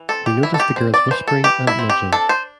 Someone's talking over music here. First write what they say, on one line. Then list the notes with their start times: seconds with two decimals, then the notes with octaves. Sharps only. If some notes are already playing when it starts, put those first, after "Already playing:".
He noticed the girls whispering and nudging.
Already playing: E3
0.09 C4 A4
0.26 G4
0.43 E3 E4
0.54 A4
0.60 G4
0.76 C4 C5
0.94 D5
1.11 E3 C5
1.28 A4
1.44 E3 G4
1.67 E4
1.79 C4
1.90 G4
2.13 D4 A4
2.29 C5